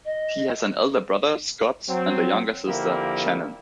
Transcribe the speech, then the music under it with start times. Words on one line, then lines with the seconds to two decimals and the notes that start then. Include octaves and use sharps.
He has an elder brother, Scott, and a younger sister, Shannon.
0.05 D#5
1.89 F#3 C4
2.67 D3 F3 A#3 E4 G4 A#4